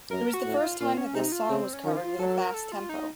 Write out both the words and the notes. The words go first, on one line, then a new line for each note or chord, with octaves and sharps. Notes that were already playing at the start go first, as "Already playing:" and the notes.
It was the first time that this song was covered with a fast tempo.
F#2 A#4
F#4
A2
F4
A#2 F4
C#4
C3 D#4
F4
C#3 C4
C#4
D#3
F4
F#3 A4
A#4
A4
F4
D#4